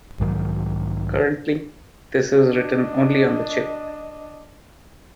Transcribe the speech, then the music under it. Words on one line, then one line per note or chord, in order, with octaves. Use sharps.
Currently, this is written only on the chip.
B1 G#2 D#3 F#3
D4 D#5